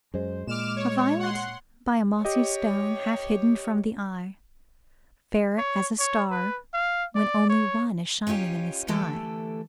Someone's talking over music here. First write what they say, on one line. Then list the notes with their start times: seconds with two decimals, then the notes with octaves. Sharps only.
A violet by a mossy stone Half hidden from the eye! --Fair as a star, when only one Is shining in the sky.
0.14 F#2 G#3 C5
0.47 A#2 G#3 D6 F6 E7
0.76 C#5
1.20 F#5 C6
2.25 G4 C#5 D#5
5.58 C#5
5.99 C#5
6.31 B4
6.74 F5
7.15 D5
7.49 C#5
8.27 C#4 D#4 F4 G4 C#5
8.88 D3 E3 A3 G4 A4